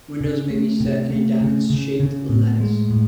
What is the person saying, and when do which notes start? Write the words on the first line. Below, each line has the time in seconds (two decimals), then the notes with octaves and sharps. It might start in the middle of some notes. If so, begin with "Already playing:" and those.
Windows may be set in a diamond-shaped lattice.
0.21 C#3
0.50 A3
0.80 C3
1.10 A3
1.41 C#3
1.70 C#3
2.00 C#3
2.29 A2
2.60 G#3
2.90 A2